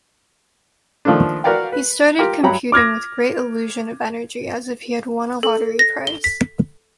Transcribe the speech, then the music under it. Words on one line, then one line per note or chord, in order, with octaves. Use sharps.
He started computing with great illusion and energy, as if he had won a lottery price.
D#3 F3 A3 A#3 D4
F#4 A#4 B4 D5 F5 G5
B4
F4 G4 A#4
G2 F#3 C#5 G5 A#5 B5
D6 F6 G#6 A#6
A4
A#6
G7
B6